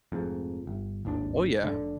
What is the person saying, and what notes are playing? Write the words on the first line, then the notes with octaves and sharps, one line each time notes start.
Oh, yeah.
F1 F2 G#2
G1
D1 G#1 D#2 D4
F1 D3